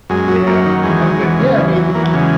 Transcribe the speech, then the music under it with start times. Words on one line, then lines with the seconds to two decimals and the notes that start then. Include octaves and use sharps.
Yeah. Ah, but yeah, I mean,
0.10 F#2 G#3
0.28 F#3
0.47 F#2 A#3
0.65 D#3
0.83 E2 G#3
1.02 F#3
1.21 E2
1.39 C#3
1.57 E2
1.76 F#3
1.95 E2 A#3
2.07 F#3
2.13 C#3
2.19 G#3